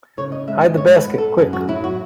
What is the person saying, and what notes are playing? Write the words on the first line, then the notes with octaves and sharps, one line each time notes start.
Hide the basket, quick!
C#3 C#5
D#5
G#3 E5
D#5
G#3 C#5
B4
B3
A4
F#2 G#4
F#4
F#3 E4
F#4